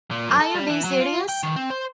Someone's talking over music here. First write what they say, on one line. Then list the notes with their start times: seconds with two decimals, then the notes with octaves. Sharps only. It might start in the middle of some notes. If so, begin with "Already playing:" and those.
Are you being serious?
0.11 A#2
0.28 F#2
0.41 A4
0.54 G3
0.70 E3
0.84 F#3
1.00 F4
1.29 G5
1.43 D#3
1.56 C4
1.70 C5